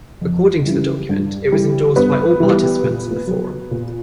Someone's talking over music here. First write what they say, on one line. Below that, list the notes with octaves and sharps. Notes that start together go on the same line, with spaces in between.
According to the document, it was endorsed by all participants in the forum.
F2
C#3 E3 G3
G2
E3 G3
G2 B3
E3 G3
A#2
F#3
A#2